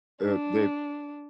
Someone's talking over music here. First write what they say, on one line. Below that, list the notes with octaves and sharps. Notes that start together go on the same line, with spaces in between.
uh they
D4